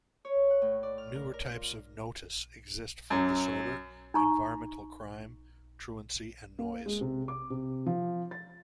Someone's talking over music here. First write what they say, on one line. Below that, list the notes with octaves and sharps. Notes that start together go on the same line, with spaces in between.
Newer types of notice exist for disorder, environmental crime, truancy and noise.
C#5
F#5
A2
D5
F6
A#4
A#4
F4
F#2 F#3
D#4 A#5 C#6
A#3
G#3
C3
D6
C3
F3
A6